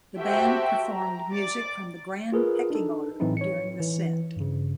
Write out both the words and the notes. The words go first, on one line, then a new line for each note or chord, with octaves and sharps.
The band performed music from "The Grand Pecking Order" during the set.
F#4 G4 A4 C5 E5 G5
A#5
D5 D6 A6
F4 G#4 A#4 B4
D4 D#4 A4
A2 E3 F#3 C4 D#4 E4
C#5 C#7
E3
G2 C#3